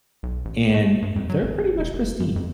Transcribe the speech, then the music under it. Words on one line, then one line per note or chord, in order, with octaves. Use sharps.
and they're pretty much pristine.
B1
A1
A3
G2
F2
F#3
G#1
E1
F1
F#2
F2